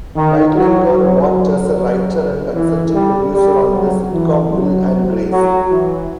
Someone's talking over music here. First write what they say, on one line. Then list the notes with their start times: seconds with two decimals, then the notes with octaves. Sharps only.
Kightlinger worked as a writer and consulting producer on the sitcom "Will and Grace".
0.16 D#3
0.55 F#3
0.96 F#3
1.35 F#3
2.54 E3
2.94 G3
3.33 G3
3.73 F#3
4.13 E3
4.53 F#3
5.32 F#3
5.72 E3